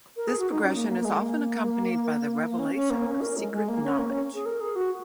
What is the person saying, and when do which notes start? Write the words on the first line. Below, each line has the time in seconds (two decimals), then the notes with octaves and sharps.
This progression is often accompanied by the revelation of secret knowledge.
0.16 A#4
0.27 G#4
0.39 F#4
0.51 D#4
0.62 C#4
0.74 A#3
0.89 A#3
1.00 A#3
1.04 G#3
1.20 A#3
2.49 A#3
2.59 C#4
2.74 C#4
2.90 A#3
3.06 C#4
3.21 A#4
3.37 G#3
3.52 G#3
3.68 A#3
3.84 C#4
3.98 A#3
4.10 C#4
4.34 G#4
4.45 A#4
4.60 G#4
4.75 F#4